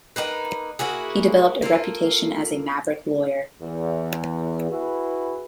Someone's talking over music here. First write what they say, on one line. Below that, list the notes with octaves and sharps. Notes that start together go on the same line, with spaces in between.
He developed a reputation as a maverick lawyer.
A#3 B3 D#4 B4
A#3 E4 F#4 G#4
A#3 F4 A4
E2
E4 F#4 G#4 B4